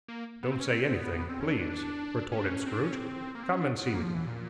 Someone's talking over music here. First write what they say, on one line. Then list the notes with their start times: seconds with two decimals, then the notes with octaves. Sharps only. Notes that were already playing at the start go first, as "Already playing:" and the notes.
'Don't say anything, please,' retorted Scrooge. 'Come and see me.
0.08 A#3
0.43 B3
0.52 C4
0.60 C#4
0.72 C4
0.83 C4
0.94 B3
1.29 C4
1.41 C#4
1.52 D4
2.32 C#4
2.39 D4
2.46 C#4
2.66 C4
2.74 D4
2.83 C#4
2.93 C4
3.35 A#3
3.43 C4
3.52 C#4
3.61 D4
3.86 B3
3.95 A#3
4.03 F3
4.14 E3
4.27 A#2